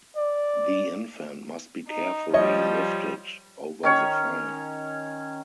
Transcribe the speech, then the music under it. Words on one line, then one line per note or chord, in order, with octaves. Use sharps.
The infant must be carefully lifted over the fire.
D5
D#4
F3 G3 C#5 D#5
D#3 C#4 C#5